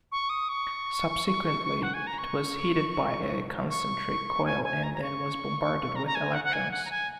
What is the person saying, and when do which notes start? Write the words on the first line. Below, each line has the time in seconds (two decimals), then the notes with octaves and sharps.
Subsequently it was heated by a concentric coil and then was bombarded with electrons.
0.12 C#6
0.30 D#6
0.49 C#6
1.83 F#5
1.94 G#5
2.07 A#5
2.18 C#6
3.70 C#6
4.45 G#5
4.64 G#5
4.83 A#5
4.94 A#5
5.02 C#6
5.96 A#5
6.06 A#5
6.15 G#5
6.34 F#5
6.44 F#5
6.53 G#5
6.71 F#5
6.85 A#5
6.90 G#5